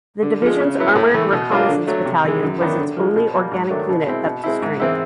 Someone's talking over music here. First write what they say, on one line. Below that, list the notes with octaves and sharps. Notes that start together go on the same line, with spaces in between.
The division's armored reconnaissance battalion was its only organic unit up to strength.
D3
F3 G#3
C#3
F#3 B3 E4
A2
E3 A3
B2
F#3 A#3 D4 F4
D3
F#3 A3
C3
E3 G#3
F#2
D#3 F#3 B3 D4
D3
F3 G#3
B2
G3 A#3
G#2
D#3 F#3 A3 D4
B2
G#3 C4 E4
B2
G#3 C4 E4
G#2
E3 G#3 C4 E4